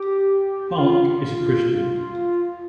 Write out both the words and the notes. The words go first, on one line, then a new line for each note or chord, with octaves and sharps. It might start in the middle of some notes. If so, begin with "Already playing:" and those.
Park is a Christian.
Already playing: G4
F4